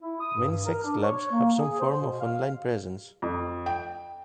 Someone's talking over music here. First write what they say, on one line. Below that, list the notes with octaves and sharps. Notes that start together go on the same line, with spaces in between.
Many sex clubs have some form of online presence.
E4
D#6
G2
A#4
D4
C#5
A#3
G#4
C5
B2
F5
F2
G5